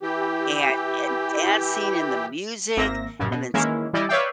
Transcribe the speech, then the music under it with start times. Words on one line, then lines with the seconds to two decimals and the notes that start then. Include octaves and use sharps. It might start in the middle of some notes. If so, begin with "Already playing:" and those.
and and dancing, and the music, and then s
0.02 E3 G4
2.77 G#1 A#3 C4 E5 A#6
3.19 A1 F#2 C#3
3.31 B2
3.54 D#3 E3 G#3 A#3 C#4 E4
3.93 E3 G3 E4 G4 D5 D#5
4.09 B4 C#5 D5 E5 F5 G5